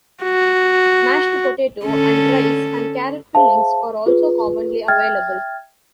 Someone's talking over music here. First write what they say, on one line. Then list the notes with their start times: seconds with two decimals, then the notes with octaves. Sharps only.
Mashed potato and rice-and-carrot fillings are also commonly available.
0.24 F#4
1.85 D3 C#4 A4
3.35 G#4 C5 E5 F5 A5
4.06 F4 G#4 B4
4.88 E5 G5 F6 G#6 A6